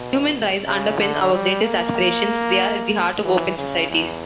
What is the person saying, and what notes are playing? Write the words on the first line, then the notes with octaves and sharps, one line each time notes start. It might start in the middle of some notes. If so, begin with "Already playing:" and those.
Human rights underpin our greatest aspirations: they're at the heart of open societies.
Already playing: B2
C#3
D3
G3
A#3
E3
C#3
E2